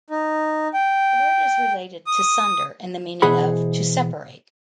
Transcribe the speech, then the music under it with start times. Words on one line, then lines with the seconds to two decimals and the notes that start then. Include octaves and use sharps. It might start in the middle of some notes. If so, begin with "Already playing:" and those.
The word is related to "to sunder" in the meaning of "to separate".
0.10 D#4
0.74 G5
2.07 D#6
3.22 B2 E3 G#4 C5 F#5 B5